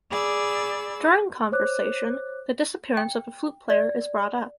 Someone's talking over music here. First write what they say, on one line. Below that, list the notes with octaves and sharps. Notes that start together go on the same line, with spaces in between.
During conversation, the disappearance of the flute player is brought up.
G#4 D5 B5 E6
C5 C#5 D6 F#6
G5
D5